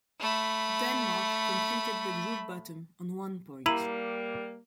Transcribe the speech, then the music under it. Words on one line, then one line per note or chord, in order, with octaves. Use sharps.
Denmark completed the group bottom, on one point.
A3 B5
G3 A#3 E4 A#5 D#7 F#7